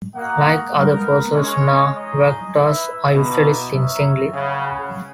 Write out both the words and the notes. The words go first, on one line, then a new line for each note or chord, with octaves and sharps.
Like other "Phocoena", vaquitas are usually seen singly.
A#3 F#4 A#4 D#5 F#5
B3 D#4 A#4
G#3 C#4 G#4 C#5
D#4 G#4 D#5
E4 B4 E5
B2 A#3 E4 B4 D#5
D#4 A#4 C#5 E5
C#3 F#4 B4 F#5